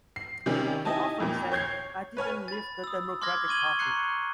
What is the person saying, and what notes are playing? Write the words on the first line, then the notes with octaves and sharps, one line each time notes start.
He often said, I didn't leave the Democratic Party.
C7
C3 D#3 G3 C#4
D#4 E4 G4 D#5 G#5 A5
F2 A#2
C#5 G6 G#6 C7
B4 C#5 G#5 F6
B5 A6
D#6 E6
C6 D6 F6 G#6 A#6
C#6 G#6 D#7 F#7 G7
A#5 C6 C#6 F#6 C7 C#7